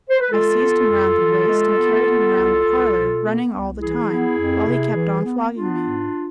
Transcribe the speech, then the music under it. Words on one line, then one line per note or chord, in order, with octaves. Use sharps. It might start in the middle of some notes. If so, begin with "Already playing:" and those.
I seized him round the waist and carried him round the parlour, running all the time, while he kept on flogging me.
C5
B4
G#3 F4 A4
B3
F2
E3
G#3
B3
B3
C2
C2
B2
B3
C2
E3 E4 G#4
B3
F2
C3
E3
B3
B3 D4 F4
G#2